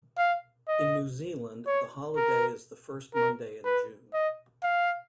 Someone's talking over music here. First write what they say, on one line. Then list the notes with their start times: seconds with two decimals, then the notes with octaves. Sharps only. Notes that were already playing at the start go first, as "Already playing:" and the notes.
In New Zealand, the holiday is the first Monday in June.
0.18 F5
0.68 D#5
1.67 C#5
2.16 A#4
3.15 A#4
3.65 B4
4.14 D#5
4.63 F5